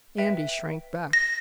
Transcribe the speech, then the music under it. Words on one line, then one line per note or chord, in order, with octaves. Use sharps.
Andy shrank back.
B4 E5 G5
A#6